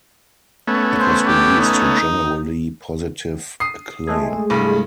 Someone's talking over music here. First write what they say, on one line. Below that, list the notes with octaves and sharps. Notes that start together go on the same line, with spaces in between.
It was released to generally positive acclaim.
A3 B3 C#4
C5
G4
D#4
D#6 C7
G#3 A3 G#4
C2 G2